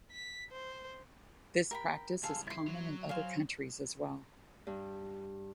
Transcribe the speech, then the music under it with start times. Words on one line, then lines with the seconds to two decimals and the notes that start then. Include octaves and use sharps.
This practice is common in other countries as well.
0.11 B6
0.52 C5
1.71 A#4 G5 B5
2.23 C#2 G2 G#4 A4 F5
2.47 E4 C6
2.67 F#3
3.09 C5 F5 G#5
4.67 G2